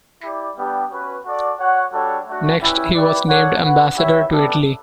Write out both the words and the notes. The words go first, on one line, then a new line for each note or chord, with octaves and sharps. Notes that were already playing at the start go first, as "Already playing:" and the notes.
Next, he was named ambassador to Italy.
E4 G4 D5
G3 B3 D4 G4
C#4 F#4 B4
F#4 A4 D5
F#4 C#5 F#5
G3 D4 F#4 A4 C#5
A3 D4 F#4
G3 C#4 E4 B4
E4 G4 B4 D5
D4 A4 C#5 F#5
F#4 B4 F#5
E4 G4 C#5 E5
G3 B3 D4 A4 D5